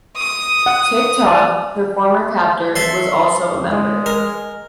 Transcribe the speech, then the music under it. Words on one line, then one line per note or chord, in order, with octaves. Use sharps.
Tick-Tock, her former captor, was also a member.
D#6
F#5
D5
A4 E5 C6
G#3
A#4